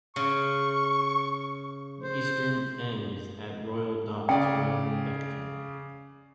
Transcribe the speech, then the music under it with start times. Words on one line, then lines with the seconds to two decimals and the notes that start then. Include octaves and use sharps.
The eastern end is at Royal Docks Road in Beckton.
0.16 C#3 C#6
2.03 C5
4.29 C#3 D5 G5